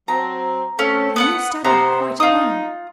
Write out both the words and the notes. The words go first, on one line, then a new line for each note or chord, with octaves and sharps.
'In your study, quite alone.
F#3 C4 A#5
A3 C4 C#4 A4
B3 B4 F#5
C3 B3 C5 A#5
D#4 F4 D#6